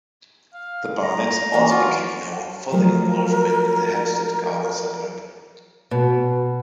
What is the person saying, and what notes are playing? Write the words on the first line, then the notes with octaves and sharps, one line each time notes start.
The Barnetts also became known for their involvement in the Hampstead Garden Suburb.
F5
A#5
E3 A#3 C#4
F4 F#4
F3 F#3 A3 A#4
B2